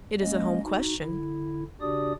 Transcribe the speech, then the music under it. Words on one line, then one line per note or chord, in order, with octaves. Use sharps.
'It is a home question.
G#3 A#3 C#4 D#5
D#4 F#4
D3 E4
C#3 D4 F#4 G4 D5 D#6